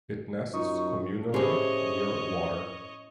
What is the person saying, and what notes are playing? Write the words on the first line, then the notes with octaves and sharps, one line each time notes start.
It nests communally, near water.
F#2 D#4 F4 C#6
A2 C#4 G4 G#4 C5 C#5 D#5